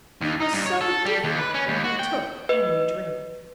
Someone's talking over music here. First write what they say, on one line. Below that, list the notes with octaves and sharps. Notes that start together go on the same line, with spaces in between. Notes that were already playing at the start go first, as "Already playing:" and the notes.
He was so different when he took any drink.
D#2
D#4
G2
C#5
A4
G3
D#2
B4
C#4
D#2
F#4
G5
B4 D#5